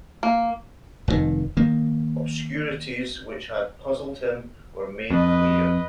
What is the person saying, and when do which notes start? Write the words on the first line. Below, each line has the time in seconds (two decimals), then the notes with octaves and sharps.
Obscurities which had puzzled him were made clear.
0.23 A#3
1.08 F1 F2 B2 D#3
1.57 D#3 A#3
5.10 F2 B4 D#5